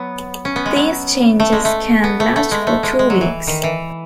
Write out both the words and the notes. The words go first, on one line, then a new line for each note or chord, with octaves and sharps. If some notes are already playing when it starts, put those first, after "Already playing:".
These changes can last for two weeks.
Already playing: F#3 B3
C#4
B3
G#3
F#3
A3
G#3
A3
B3
A3
A3
G#3
A3
G#3
G#3
F#3
E3
D#3
E3